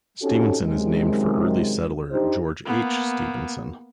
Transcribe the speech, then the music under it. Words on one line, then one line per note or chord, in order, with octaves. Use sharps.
Stevenson is named for early settler George H. Stevenson.
C4 C#4 D#4 F#4 G4 A4
F#2 C3 D#3 G#3
D4 D#4 G4 C5
A#3 B3